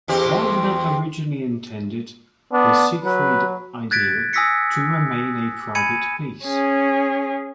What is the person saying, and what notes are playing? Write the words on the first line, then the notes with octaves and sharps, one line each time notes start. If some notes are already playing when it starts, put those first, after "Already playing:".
Wagner originally intended the "Siegfried Idyll" to remain a private piece.
E2 C4 G4
B3 D4
F#3 B4
F#6 G#6 A6 B6 D7
G#5 D#6 E6 A#6 B6 C#7
G#5 B5 G#6 C#7 D#7
C#4 G#4